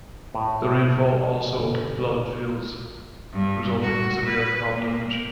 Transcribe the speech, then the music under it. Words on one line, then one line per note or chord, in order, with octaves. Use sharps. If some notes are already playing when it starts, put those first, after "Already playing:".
The rainfall also flooded fields, resulting in severe crop damage.
A2
G1
G2
F#4
B4
A#3